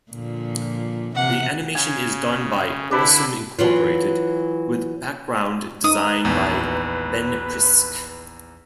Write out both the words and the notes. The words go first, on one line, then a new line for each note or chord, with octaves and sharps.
The animation is done by Awesome Incorporated, with background design by Ben Prisk.
A#2 D3 F3
C3 E3 F#5
C#3 G#5
D3 D4 E4 B4
E3 F#3 F4
D#4 B4 D#6
A#1 E2